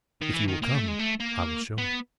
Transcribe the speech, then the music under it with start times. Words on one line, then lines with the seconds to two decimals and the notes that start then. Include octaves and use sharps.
'If you will come, I will show you.'
0.22 D#3
0.34 E3
0.48 D#3
0.62 A#3
0.75 A3
0.88 G#3
0.99 A3
1.20 A#3
1.78 B3